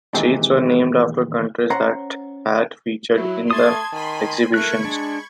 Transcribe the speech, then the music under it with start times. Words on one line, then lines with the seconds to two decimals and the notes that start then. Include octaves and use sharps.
Streets were named after countries that had featured in the exhibitions.
0.14 A#2 D#3 E3 G#3 C4 G4
1.70 C#4 C5 F#5 A#5
3.15 F#3 E4
3.51 A3 A5 C6 D#6 G#6
3.93 D#3 G#5 B5 C6
4.54 A3 A#4 B5 C#6 F#6 G#6
4.85 G#3 D4